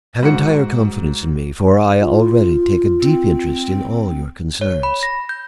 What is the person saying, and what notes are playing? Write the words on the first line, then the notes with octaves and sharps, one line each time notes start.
Have entire confidence in me, for I already take a deep interest in all your concerns.
G#2 F#4 C#7
F4
C4
C#5
B5
A#6
G6